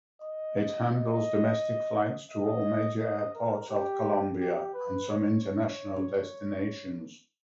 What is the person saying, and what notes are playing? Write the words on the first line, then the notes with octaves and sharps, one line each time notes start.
It handles domestic flights to all major airports of Colombia and some international destinations.
D#5
D#5
D#5
D#5
A#4
G4
G4
B4
C#5
C#5